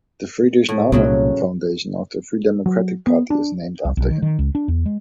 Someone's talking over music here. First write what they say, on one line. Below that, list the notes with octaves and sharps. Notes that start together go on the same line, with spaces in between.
The Friedrich Naumann Foundation of the Free Democratic Party is named after him.
A2
C2 F#2 A#2 C#3 F#3
F#3
B3
D4
C2
B1
D#3
D#3
C#2
D4
E2
G#3